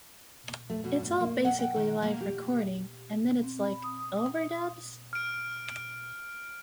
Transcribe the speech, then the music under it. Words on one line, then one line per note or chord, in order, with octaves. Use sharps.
It's all basically live recording, and then it's like, 'Overdubs?
A3
B2
G2
A#3
F#5
G5
D#3
A#3
G4
C4
B5
D#6
F6 D7